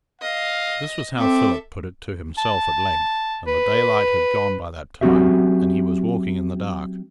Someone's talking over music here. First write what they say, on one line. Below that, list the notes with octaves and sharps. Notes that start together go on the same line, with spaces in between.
This was how Philip put it to himself at length, and the daylight had gone by that time, and he was walking in the dark.
D#5 F5
C4 A4 E5 D6
A5
B4
F#3 C4 C#4 F#4 G4 E5